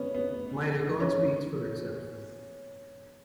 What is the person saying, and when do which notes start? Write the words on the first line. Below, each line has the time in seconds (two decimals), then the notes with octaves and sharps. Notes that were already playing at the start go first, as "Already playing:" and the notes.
My record speaks for itself.
Already playing: B3 C#4
0.14 B3
1.00 C#4